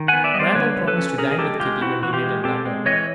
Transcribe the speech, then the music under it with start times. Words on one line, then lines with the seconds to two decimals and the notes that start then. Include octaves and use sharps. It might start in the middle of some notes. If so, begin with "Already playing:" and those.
Randal promised to dine with Kitty when they met in London.
Already playing: D#3
0.08 B3 F#5 G#5
0.24 D5 E5
0.34 G3 D#5
0.39 C5 D5
0.55 D3 B4 C#5
0.77 D3
0.88 A4 B4
0.98 C#4
1.18 C#4 G#4 A#4
1.31 G#4
1.39 G#3 G4 A4
1.60 G#3 F4 G4
1.81 C4 E4 F#4
2.03 E3 F#4
2.13 F4 G4
2.23 G#3
2.44 C4 G4 A4
2.66 G#3
2.86 E3 C#5 D#5